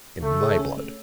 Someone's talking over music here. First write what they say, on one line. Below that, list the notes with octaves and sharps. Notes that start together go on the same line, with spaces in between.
In my blood!
C#3 A3
G#4
C#4
A3